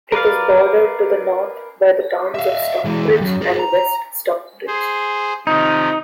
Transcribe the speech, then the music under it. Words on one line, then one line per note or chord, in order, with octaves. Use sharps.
It is bordered to the north by the towns of Stockbridge and West Stockbridge.
A#4 B4 D5 F5
E5 F5
E3 G#3
D#2
F#2
G#4 A#4
A#5
G#4 C5
C3 D#3 F3 D#4